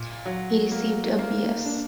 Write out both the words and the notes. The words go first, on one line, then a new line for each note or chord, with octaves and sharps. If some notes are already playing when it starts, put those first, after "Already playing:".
He received a B.s.
Already playing: A#2
F#3
A#3
A#3
D4